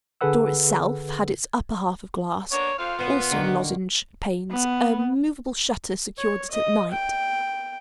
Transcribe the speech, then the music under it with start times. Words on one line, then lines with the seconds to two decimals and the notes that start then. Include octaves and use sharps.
The door itself had its upper half of glass, also in lozenge panes--a movable shutter secured it at night.
0.21 D3 G#4 A4 B4 F#5 E6
2.52 A#3 B3 D4 C#5
2.79 F2 C4 F4 F5
2.99 A#2 B3 C5
3.31 D3 D#3 A#3
4.51 B3
6.18 C#5
6.51 D#5
6.91 G5